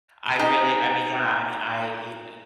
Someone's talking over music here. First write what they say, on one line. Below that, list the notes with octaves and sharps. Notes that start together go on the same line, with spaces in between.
I really I mean, yeah, I mean I even
D#4 G#4